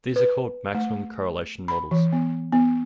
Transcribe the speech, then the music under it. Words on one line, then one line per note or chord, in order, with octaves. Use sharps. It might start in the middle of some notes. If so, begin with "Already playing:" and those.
These are called maximum correlation models.
B4
A3
B5
E3
B3
B3